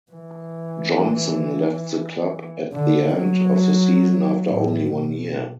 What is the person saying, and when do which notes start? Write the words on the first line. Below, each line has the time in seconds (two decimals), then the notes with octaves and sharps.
Johnsson left the club at the end of the season after only one year.
0.12 E3
2.73 D3
3.17 F#3
4.48 A2
4.91 B2